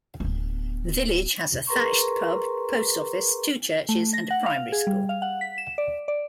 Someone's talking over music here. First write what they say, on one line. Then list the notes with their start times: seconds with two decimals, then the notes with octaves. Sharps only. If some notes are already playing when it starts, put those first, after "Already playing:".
The village has a thatched pub, post office, two churches and a primary school.
0.20 D1 B3
1.67 G#4 A#4 B4 A#5 C6 C#6
3.89 A3
4.14 A#6
4.31 F#5
4.46 F5
4.72 G#4
4.87 G3
5.09 F5
5.22 F#5
5.41 B6
5.58 E7
5.78 D5
6.08 D5